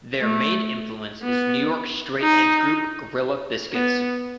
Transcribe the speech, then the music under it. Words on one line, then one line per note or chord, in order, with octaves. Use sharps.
Their main influence is New York straight edge group Gorilla Biscuits.
A3
B3
D#4
B3